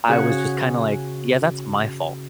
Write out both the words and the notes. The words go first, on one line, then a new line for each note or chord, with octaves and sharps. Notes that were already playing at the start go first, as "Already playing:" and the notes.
I was just kinda like, "Yeah, that's my fault."
C#3 F#4 G#4 C#5 F#5